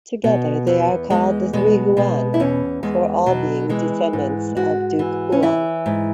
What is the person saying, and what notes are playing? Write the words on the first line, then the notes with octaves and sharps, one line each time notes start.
Together they are called the Three Huan for all being descendants of Duke Huan.
B2 B3
E2 B3
E2 G#3
B2 G#3
B2 G#3
E4
E2 C#4
E2 G#3
B2 F#3
E3 G#3
G#2
G#2 F#4
E3
C#4
E3 E4
G#2